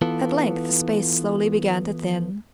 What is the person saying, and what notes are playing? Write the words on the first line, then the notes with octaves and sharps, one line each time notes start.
At length the space slowly began to thin.
E3 B3 F4 A4